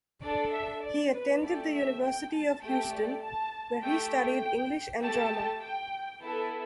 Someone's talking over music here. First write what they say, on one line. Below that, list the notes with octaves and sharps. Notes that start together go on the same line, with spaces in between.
He attended the University of Houston, where he studied English and drama.
D4 A4 D5
E5
D5
B4
A3 G4 D5
E5
G5
A5
A3 G4 G5
D5
A5
A3 G4 G5
G5
A3 G4 A5
G5
B3 E4 A4 A5